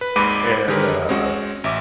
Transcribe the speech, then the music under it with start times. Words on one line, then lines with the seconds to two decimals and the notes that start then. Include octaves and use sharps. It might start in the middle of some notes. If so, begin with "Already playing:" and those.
And, uh,
0.01 B4
0.16 G#1 D#2 G#2 B5 D6 D#7
0.68 D3 D#3 G4 G#4 A#4 B4
1.09 G#3 C4 C#4 F#4
1.64 A1 E5 D6